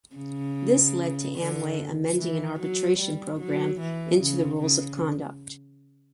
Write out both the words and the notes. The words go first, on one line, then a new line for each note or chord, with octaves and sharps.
This led to Amway amending an arbitration program into the rules of conduct.
C#3
D3
E3
F#3
G3
F#3
E3
C#3
C#3